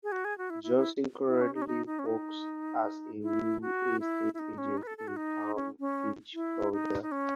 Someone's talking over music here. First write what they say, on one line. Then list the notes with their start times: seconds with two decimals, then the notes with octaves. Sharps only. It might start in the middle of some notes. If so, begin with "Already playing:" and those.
Johnson currently works as a real estate agent in Palm Beach, Florida.
0.03 G#4
0.12 F#4
0.25 G#4
0.38 F#4
0.50 E4
0.63 E4
0.77 E4
1.28 E4
1.41 C#4
1.54 D#4
1.62 C#4
1.67 D#4
1.86 D#4
1.99 C#4
2.06 D#4
3.22 E4
3.61 F#4
4.00 E4
4.34 E4
4.39 D#4
4.58 C#4
4.77 D#4
4.83 B4
4.87 A4
4.98 A4
5.08 F#4
5.16 D#4
5.56 C#4
5.80 C#4
6.34 E4
6.72 D#4
7.02 D#4
7.12 C#4